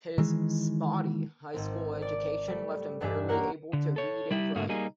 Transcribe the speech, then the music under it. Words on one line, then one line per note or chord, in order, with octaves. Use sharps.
His "spotty" high school education left him barely able to read and write.
D#3 E3 G#3
G#1 C4
D5
G3 A3
E1 G2 D4 G4 E5 G#5
A#3 C#4 A#4 F#5
D3
A4 C#5
G3 E4 G4
G#2 D3 A3 A#3 F#4
G3 A#3 D#4 G#4